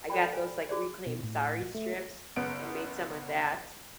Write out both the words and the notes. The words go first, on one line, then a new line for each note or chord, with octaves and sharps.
I got those, like, reclaimed sari strips, and made some with that,
A4 C5 D5 G5 B5
C5 G#5
F#4 G#4 C5 D5
B2
A2
A3
F#1 B3 D7